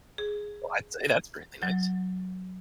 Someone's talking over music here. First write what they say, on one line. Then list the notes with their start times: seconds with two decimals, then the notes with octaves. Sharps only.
Well, I'd say that's really nice.
0.18 G#4
1.63 F#3